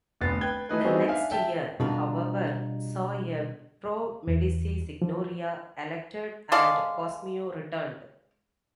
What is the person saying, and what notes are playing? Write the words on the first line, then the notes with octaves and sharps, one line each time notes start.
The next year, however, saw a pro-Medici Signoria elected and Cosimo returned.
F1 D2 B3 A6 C7
B4 G5 G#6 G7
E3 A3 D#4 B4
G3 B3 C4 D#4 F#4 G#4
D4 E5 F5 G#5
E5 G5 A5
B2 G3 D4 F4 A#4
E2
F3
G#3 A4 D5 F5